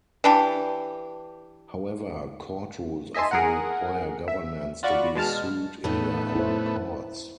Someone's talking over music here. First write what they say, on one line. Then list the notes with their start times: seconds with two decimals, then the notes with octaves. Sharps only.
However, court rules often require governments to be sued in their own courts.
0.24 E3 D4 G4
3.14 D#5 E5 G#5 A5 C6
3.31 G#4 A#4 F#5
4.28 E5
4.83 F4 F#4 D5 B5 C#6
5.15 B2 G#3 A5 F6
5.84 A2 C#3 A3 B3 D#4
6.36 E4 C5